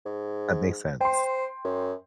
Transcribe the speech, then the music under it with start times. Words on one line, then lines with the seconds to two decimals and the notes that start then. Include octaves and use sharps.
That makes sense.
0.06 G#2
1.01 C5 G5 C6
1.64 F#2